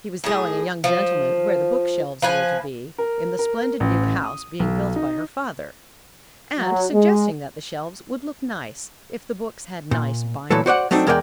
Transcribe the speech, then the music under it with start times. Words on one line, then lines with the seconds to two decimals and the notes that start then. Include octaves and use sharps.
She was telling a young gentleman where the book-shelves were to be in the splendid new house being built by her father, and suggesting that the shelves would look nice if the books had nice bindings.
0.24 A2 G#4
0.84 F3
2.22 F3 B4 G#5
2.98 A#4
3.39 A#4
3.80 A1
4.24 D#6
4.60 B1
4.96 D#4
6.59 F#3
6.93 G#3
9.91 A#2
10.51 A#2 E3 F#3 A3 A4
10.66 F#4 C5 D5 F#5
10.91 F#3 A3 C4 D4 D#4
11.07 E2 G#3 A#4 D5 D#5 G5